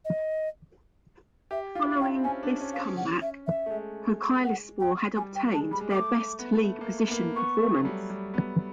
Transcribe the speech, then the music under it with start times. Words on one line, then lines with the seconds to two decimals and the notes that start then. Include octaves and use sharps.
Following this comeback, Kocaelispor had obtained their best league position performance.
0.05 D#5
1.51 G4 E5
1.75 F4 F5
1.83 E4
1.91 F4
2.00 D4 G5
2.15 C4
2.24 C#4 G#5
2.43 D4
2.57 D4
2.61 C#4
2.73 F5
2.79 C#4
2.97 F#5
3.21 E5
3.46 E5
3.66 A3
3.70 G#3
4.44 F#5
4.80 G5
5.16 G3 G#5
5.35 G5
5.53 G#3 A5
5.71 G3 B5
5.81 G#3
5.90 A3 D6
6.39 B3
6.63 A3
6.81 A#3
6.87 A3
7.07 B3
7.12 A#3
7.36 B3 C#6
7.60 A3
7.80 F#3
7.85 G3
8.10 G3
8.34 B3